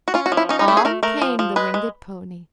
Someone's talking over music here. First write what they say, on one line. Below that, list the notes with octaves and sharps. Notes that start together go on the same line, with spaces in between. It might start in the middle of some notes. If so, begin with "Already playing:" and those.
On came the winged pony.
F#4
C#4 F4
F#4
F3
E4
C#4 D#4
D#4
A3 E4
G#4
A3 A#4
A3 A#4
F3
F3
G#3 B4
G#3